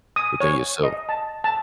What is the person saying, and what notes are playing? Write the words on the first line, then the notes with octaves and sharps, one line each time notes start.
within yourself.
D#6
C#5
D#5
A5
A5